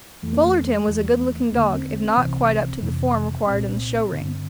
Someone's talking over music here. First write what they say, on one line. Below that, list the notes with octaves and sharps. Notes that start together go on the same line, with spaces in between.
Fullerton was a good-looking dog, if not quite up to the form required in the show ring.
F2 E3 A3
A#3
A3
E2 E3
E2 D3 A#3
C4
C4
C2 C3 E3
F2 C3 E3
C2 A#2 C4
G2 D3